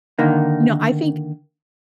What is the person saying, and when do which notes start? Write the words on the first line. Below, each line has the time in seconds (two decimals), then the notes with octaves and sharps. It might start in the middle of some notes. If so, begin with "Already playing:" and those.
you know, I think
0.19 D3 D#3 A#3 D#4